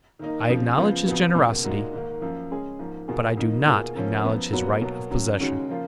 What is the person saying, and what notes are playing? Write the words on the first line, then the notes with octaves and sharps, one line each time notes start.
I acknowledge his generosity, but I do not acknowledge his right of possession.
D#3 A#3 D#4
F2 C#3 F3
C#3 F3 B3 F4
F2 C#3 F3 B3 F#4
C#2 B2 A#3
A#2 G#3 D#4 F#4
G#2 D#3 A#3
F#2 F3 A#3
C#3 G#3 C#4 G#4
G#2 F3 A#3
B2 A#3 F4 G#4
F2 D#3 A#3 D#4
B2 A#3 F4 G#4
F#2 C#3 F3 A#3 C#4
F#2 F3 B3
A#2 F#3 B3 F#4
B2 F#3 A#3
C#3 F#3 C#4
D#2 C#3 G#3 C#4 F#4
C#3 F3 A#3 F4